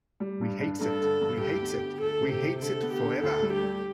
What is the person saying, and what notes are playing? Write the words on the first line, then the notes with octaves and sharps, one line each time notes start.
We hates it, we hates it, we hates it forever!
G3
G2
D4
G2 A4
D3
G2
D2 G4
B3
D2
D2 A4
C3
G4
C3
D3 A4
B3
G4
D3
D2 A4
G3
G4
G3